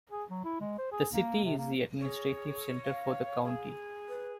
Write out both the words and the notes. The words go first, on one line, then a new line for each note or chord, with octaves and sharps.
The city is the administrative center for the county.
G#4
F#3
E4
G#3
C5
G#4
A#3
C3
A#3
G#4 C#5
F5
G#4
B4